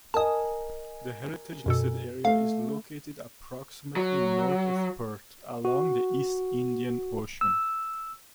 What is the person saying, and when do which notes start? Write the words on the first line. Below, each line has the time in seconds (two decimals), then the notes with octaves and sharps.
The heritagelisted area is located approximately north of Perth, along the East Indian Ocean.
0.14 A#4 D#5 G#5 A5 D#6
1.66 F#2 B2 A4
2.25 A3 F5
3.96 F#3
5.65 F#4
7.41 E6